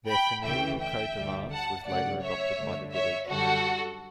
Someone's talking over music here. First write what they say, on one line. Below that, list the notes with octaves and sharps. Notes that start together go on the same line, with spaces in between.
Their familial coat of arms was later adopted by the village.
G5 B5
D2 C#3 E3 A3 E5 G5
E5 G5
D2 D3 G3
F#5 A5
F#2 C#3 F#3 A3 D5 F#5
C#5 E5
G2 D3 A3
C#5 E5
F#2 D3 G3 F#4 A4